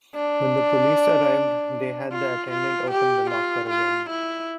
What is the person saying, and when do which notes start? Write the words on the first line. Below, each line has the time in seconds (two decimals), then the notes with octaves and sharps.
When the police arrived they had the attendant open the locker again.
0.16 D4
2.12 F4
2.51 F4
2.91 G4
3.30 F4
3.70 F4
4.10 E4